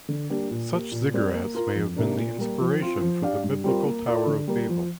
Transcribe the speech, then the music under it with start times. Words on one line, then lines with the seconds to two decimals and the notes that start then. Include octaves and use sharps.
Such ziggurats may have been the inspiration for the Biblical Tower of Babel.
0.09 D3
0.30 G3 A#3 D4 G4
0.51 A#2
0.72 A#3 G4
0.92 A#2
1.13 G3 C4 A#4 D5
1.34 A#3
1.55 F4 A#4
1.76 F2
1.96 C3 A#3 D4
2.18 A#2
2.38 G3 A#3
2.60 F3
2.81 C4 F4
3.01 F3
3.22 D4 G4 D5 F5
3.44 G2
3.64 G3 C4 F4 A#4
3.85 A#3
4.06 F4 A#4 D5
4.27 D3
4.48 G3 A#3
4.69 F3